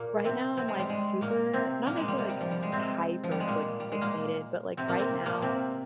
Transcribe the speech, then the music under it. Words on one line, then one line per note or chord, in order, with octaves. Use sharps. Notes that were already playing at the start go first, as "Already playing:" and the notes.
right now I'm, like, super not necessarily like hyper-fli fixated, but like right now
Already playing: A#2 A#3
C3 C4
C3 C4
G#3
G3
G#3
A#2 A#3
C3 C4
A#2 A#3
G#3
G3
C3
G3
F3
G3
G#3
C3 C4
F3
G3
G#3
A#2 A#3
G3
G#3
A#2 A#3
C3 C4
A#2 A#3
C3 C4
A#2 A#3
C3 C4